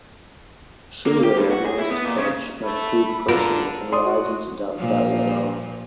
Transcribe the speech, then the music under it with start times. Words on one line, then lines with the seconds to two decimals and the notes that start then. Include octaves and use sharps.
Schouler wants to catch McTeague personally and rides into Death Valley alone.
1.06 A#3
1.24 G4
1.38 G2
1.51 F#4
1.66 G#4
1.78 E4
1.90 B3
2.05 A#2
2.18 C#3
2.64 A3 B5
3.28 D3 F4 A#4
3.92 D5 C6 D#6
4.04 F#4
4.74 A#2 F3